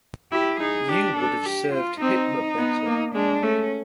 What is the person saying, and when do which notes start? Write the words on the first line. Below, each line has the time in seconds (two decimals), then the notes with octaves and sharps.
You would have served Hitler better.
0.32 E4 G4
0.60 D#4 G#4
0.89 D4 G4
1.17 A4
1.45 G4
1.73 F4
2.02 C4 D#4
2.58 B3
2.86 A#3
3.15 G#3 D4
3.43 A3 C#4